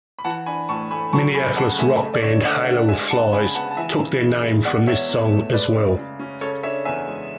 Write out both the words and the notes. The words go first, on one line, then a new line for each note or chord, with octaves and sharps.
Minneapolis rock band Halo of Flies took their name from this song as well.
B5
E3 F#5 A5
D4 G#5 B5
A2 A5 C#6
A3 G#5 B5
F#3 A5 C#6
C#3 G#5 B5
C#3 F#5 A5
A3 E5 G#5
A3
D5
D3 C#5 E5
D3 D5 F#5
D4 E5
F#5
G#3 E5 G#5
D4 F#5 A5
C#3 G#5 B5
B3 F#5 A5
A5
E3 E5 G#5
C#3
C#3
G#3
B2 D5 F#5
E2 C#5 E5
E2
A3
G#3 B4 D5
C#3
C#3
C#4
C#3 A4 C#5
D4 C#5 E5
E2 E5 G#5
G#3